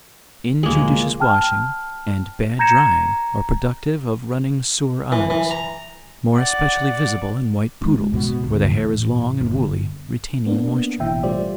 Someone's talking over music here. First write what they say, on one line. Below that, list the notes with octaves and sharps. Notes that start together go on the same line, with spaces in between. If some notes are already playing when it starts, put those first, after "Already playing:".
Injudicious washing and bad drying are productive of running sore eyes, more especially visible in white poodles, where the hair is long and woolly, retaining the moisture.
D2 A#2 F3 G#3 A#3
G5 A5 F6
A#5 G6 G#6 A#6 C#7 E7
E3
E3
A#5
D5 F#5
G#3 D4
B2
G#1 D2
E2 A2
G1 G2
A#3 B3 D4
A1 B2 E3 E5 G5
G3 A3 F4 G4 C5 D5